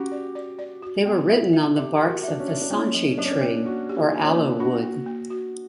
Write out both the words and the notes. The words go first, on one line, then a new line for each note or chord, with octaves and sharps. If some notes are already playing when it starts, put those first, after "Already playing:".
They were written on the barks of the "Sanchi" tree or aloe wood.
Already playing: C#4 F#4 G4
D5
D5
D5
F#4
B3
E5
E5
G4 E5
A#4
F#4
D4 E5
C#4
E5
D4
A#3 C#4
F#3
F#3 D4
C#4
D4
A#3
A#3 F#4
G4
E4
A#3
C#4
D4
A#3
D4 F#4
A#3
A#3
F#4